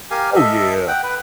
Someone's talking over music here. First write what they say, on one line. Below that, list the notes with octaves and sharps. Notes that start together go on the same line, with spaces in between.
Oh, yeah.
G4 A#4 F5 G#5
A4 D#5 E5
F#5 G5
B4